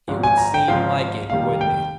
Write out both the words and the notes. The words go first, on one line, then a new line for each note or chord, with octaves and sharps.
"It would seem like it, wouldn't it."
G#1 G#2 F3
G#5
A#5
G5
G#1 G#2 F3 F5
F1 D#2 D#3 G3 F5
G5